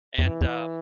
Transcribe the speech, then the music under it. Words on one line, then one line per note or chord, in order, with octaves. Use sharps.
and, um
E2
F#2 E3
E2